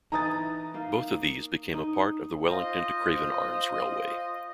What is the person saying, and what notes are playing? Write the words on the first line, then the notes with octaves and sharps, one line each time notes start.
Both of these became a part of the Wellington to Craven Arms Railway.
E3 D#4 E4 A#5 D#6 A6
A#3 D#4 F5
D#4
F4 C5 D#5